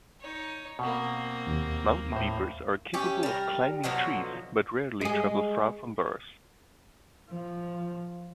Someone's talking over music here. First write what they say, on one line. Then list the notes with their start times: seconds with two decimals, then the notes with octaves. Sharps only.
Mountain beavers are capable of climbing trees, but rarely travel far from burrows.
0.21 D#4 C#5
0.79 B2 A#3 C4
1.47 D#2
2.12 A2 C5
2.94 C#4 E4 G4
3.23 G3 A#4
3.84 B2 D3 F3 F#3
5.01 G#3 G#4
7.31 F3